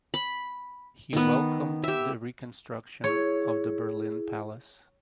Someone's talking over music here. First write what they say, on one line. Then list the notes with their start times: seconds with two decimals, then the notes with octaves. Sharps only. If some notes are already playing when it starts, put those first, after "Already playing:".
He welcomed the reconstruction of the Berlin Palace.
0.14 B5
1.13 D#3 B3
1.84 G4 E5
3.04 E4 G#4 C#5